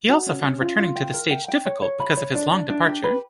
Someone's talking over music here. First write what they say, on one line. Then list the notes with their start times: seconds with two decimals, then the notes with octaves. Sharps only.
He also found returning to the stage difficult because of his long departure.
0.09 F#4
0.27 C#4
0.44 C#4
0.61 F4
0.78 F4
0.96 G5
1.13 A#4
1.31 G5
1.48 G5
1.65 C#5
1.82 C#5
2.00 B5
2.17 C#5
2.35 D4
2.52 D4
2.70 D4
2.87 G4
3.04 B4